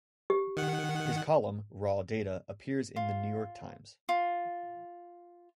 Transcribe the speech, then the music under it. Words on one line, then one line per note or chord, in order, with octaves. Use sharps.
His column, "Raw Data," appears in "The New York Times".
G4
D#3 F#5
F4
F4